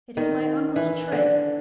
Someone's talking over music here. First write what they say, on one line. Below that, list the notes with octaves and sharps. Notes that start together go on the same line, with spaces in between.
"It is my uncle's trade."
D#3
E3
D3